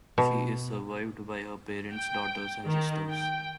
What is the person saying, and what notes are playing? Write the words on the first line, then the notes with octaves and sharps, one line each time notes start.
She is survived by her parents, daughter, and sister.
B2
G5
D#3
G5